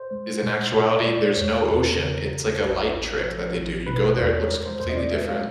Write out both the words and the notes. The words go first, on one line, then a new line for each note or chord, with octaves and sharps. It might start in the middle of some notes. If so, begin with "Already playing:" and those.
is in actuality, there's no ocean, it's like a light trick that they do you go there, it looks completely different.
Already playing: C5
G#3
A#2
A#2 C#5
D5
G#3
D5
E2 C#5
E2 B4
A#4
A4
C#3 A#4
E2
A1
A1
F3
A1
B2 B4
C5
E2 D5
C#5
G#3 A#4
C5
E2 C5
D#5
D5
G#3 E5
F5